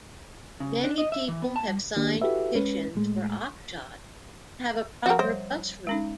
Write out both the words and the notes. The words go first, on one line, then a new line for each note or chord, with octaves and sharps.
Many people have signed petitions for Oxshott to have a proper bus route.
C#3
D4
D#5
E5
E3
B3
A5
G3
D#3 A#3 D4 G4
E4 F#4 G4 A4 B4 E5
G#3 C#4 B4
A2 G#3 A3
F3 F#4 A#4 F5 F#5
G3 C5 C#5
G#3 C#4 D#4